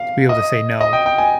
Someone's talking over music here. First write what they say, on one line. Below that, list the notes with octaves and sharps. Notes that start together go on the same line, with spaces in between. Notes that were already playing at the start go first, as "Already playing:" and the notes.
to be able to say no,
Already playing: F5
D#5
D#5
G5
G5
G#5